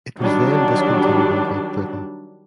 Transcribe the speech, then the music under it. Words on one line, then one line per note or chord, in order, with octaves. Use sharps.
It was then discontinued in Great Britain.
D#3 F#3 G3 D4